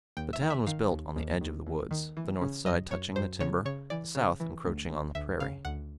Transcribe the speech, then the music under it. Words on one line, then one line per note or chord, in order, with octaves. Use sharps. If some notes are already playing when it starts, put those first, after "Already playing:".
The town was built on the edge of the woods, the north side touching the timber, the south encroaching on the prairie.
D#2 G5
E5
D#3
E5
D#3 F5
D#2
D#2
D#2
D#2
D#3
E3
C#3
F#2 D#5
F#2 C#5
F#2 C5
C#3 C#5
C#3 C#5
E3 D5
C#3
E3
D2
D2
D2 E5
C#3 F5
D2 F#5